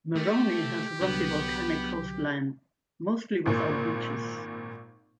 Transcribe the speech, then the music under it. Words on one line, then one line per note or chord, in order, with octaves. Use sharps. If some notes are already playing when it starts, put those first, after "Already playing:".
Moroni has a rocky volcanic coastline, mostly without beaches.
A3 G4
C2 D3 F#3 B3
G#1 A#2